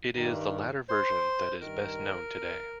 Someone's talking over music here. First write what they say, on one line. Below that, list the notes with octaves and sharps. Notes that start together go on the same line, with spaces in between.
It is the latter version that is best known today.
G2 D#3
C5
G2 D#3 A#4